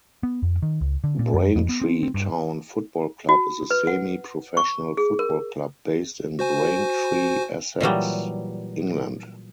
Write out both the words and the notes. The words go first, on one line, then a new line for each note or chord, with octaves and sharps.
Braintree Town Football Club is a semi-professional football club based in Braintree, Essex, England.
B3
F2
D#3
C#2
D3
A#2
F#2
F2
B3
C4
C4
G2
F#4
B4
F#5
C#6
G#4
A#4
F#4 C5 G#5
A#2 E3 F#3 G3